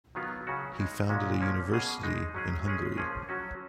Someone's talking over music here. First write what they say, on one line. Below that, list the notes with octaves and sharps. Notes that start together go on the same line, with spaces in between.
He founded a university in Hungary.
D#3 F#3 B3 F4
C#3 F#3 C#4 F#4
G#3 D#4 G#4
A#2 G#3 C#4 F#4
F3 A#3 C#4
B2 A#3 F4 G#4
G#3 D#4 G#4
F#3 C#4 G#4
G#3 C#4 G#4
F3 A#3 C#4 G#4
F#3 C#4 F#4